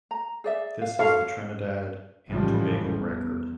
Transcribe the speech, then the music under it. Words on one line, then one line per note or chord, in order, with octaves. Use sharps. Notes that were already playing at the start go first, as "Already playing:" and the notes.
This is the Trinidad and Tobago record.
A#5
G#4 D5 E5
F5
F#4 A4 C#5 F5
A1 G#2 C#3 E3 F3 G3
E2